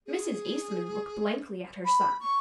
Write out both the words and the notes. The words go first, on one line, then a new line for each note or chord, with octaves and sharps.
Mrs. Eastman looked blankly at her son.
G#4
B5
C#6